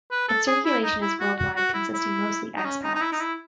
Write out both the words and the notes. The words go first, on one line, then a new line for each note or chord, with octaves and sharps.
Its circulation is worldwide consisting mostly ex-pats.
B4
A4
G#4
E4
D#4
E4
F#4
F#4
F#4
E4
E4
D#4
C#4
D#4
D#4
E4
D#4
E4